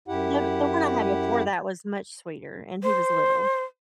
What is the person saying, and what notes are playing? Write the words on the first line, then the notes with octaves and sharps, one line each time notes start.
The the one I had before that was much sweeter, and he was little.
F#2 E4 G4 F#5
C5